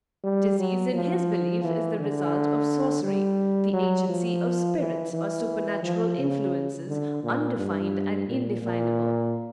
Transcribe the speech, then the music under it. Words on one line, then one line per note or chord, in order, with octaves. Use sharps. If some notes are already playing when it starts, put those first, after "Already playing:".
Disease, in his belief, is the result of sorcery, the agency of spirits or supernatural influences, undefined and indefinable.
G3
F#3
F3
E3
D3
G3
F#3
F3
E3
E3
F3
C#3
D3
A#2
G2
A#2
A#2